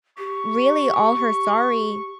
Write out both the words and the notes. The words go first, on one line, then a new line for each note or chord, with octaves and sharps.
really all her sorry
G4 C#6